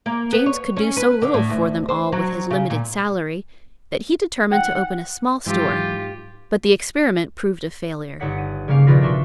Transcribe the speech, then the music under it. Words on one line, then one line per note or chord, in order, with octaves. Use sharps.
James could do so little for them all with his limited salary, that he determined to open a small store; but the experiment proved a failure.
A#3
B3
C#5
C#4
B4
D3
A2
D2
C5
F#3
C#3
A#2
F#5 G5
G#2 E3 F#3 F4 G4
G1 D#4 C#5 F#5 B6
D#7
C#3 G3 A#3 C#4 F5
A#1 B2 D#3 F4 B4 A#6
D4 B4 E5 C6 C#6